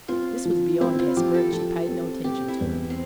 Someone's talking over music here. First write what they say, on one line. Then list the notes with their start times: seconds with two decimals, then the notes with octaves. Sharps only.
This was beyond Hesper, and she paid no attention to it.
0.08 C4 F4
0.45 F3
0.81 C4 E4
0.99 F4
1.17 F3 G4
1.34 A4
1.53 F3 A4
1.89 C4
2.24 C4 G4
2.48 E4
2.61 E2
2.90 C4